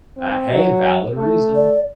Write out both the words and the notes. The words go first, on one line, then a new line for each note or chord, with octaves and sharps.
Ah Hey, valid reason.
C4
F#3
A3
D5